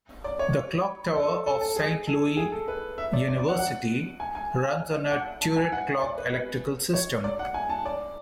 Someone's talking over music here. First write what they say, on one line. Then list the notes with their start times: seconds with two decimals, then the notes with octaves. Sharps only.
The Clock Tower of Saint Louis University runs on a turret clock electrical system.
0.24 D5
0.39 C#5
1.16 A4
1.46 A4
1.61 A4
1.76 G#4
2.07 A4
2.37 G#4
2.52 A4
2.68 B4
2.98 E5
3.13 D5
3.28 D5
3.39 D5
3.48 F#5
3.59 F#5
4.20 G#5
4.35 G#5
5.11 F#5
5.41 A5
5.57 G#5
5.72 F#5
6.02 D5
6.18 B4
6.33 B4
6.94 C#5
7.24 D5
7.39 F#5
7.54 G#5
7.69 A5
7.86 D5